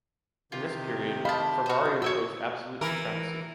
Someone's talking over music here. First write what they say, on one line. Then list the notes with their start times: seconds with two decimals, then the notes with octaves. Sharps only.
In this period, Ferrari imposed absolute supremacy.
0.52 C3 D#3 F4 G4
1.25 C5 D#5 F5 A5 B5
1.66 F#4 C5
2.02 E4 F#4 C#5 E5 E6
2.81 E3 A#4